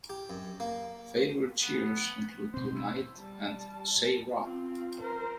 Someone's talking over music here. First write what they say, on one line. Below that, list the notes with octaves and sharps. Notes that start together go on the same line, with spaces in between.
Favourite cheers include "Unite" and "Say Ra".
G4
F#2
A#3
B3
B2 C4 C5
E4
G3 A5
C4 F4
A#4 C5